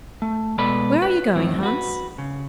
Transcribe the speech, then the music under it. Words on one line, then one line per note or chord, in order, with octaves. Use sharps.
'Where are you going, Hans?'
A3
B2 G#3 A4 B4 D5 B5
B4
F#2 A2 D#3 C4
F#4 B4
C#3